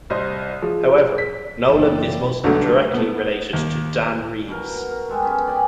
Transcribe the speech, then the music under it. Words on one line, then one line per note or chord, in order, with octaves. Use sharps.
However, Nolan is most directly related to Dan Reeves.
C2 C5 D#5
F3 G#4
B6
F#1 E3 A#3 B3 E4 D5 G5
B1 G2 D3 F#3 A3
A3 B3
D#2
B2 F#3 A#4
A#4
G3 G#3 A4 B4
B3 C#4
D5 G5 G#5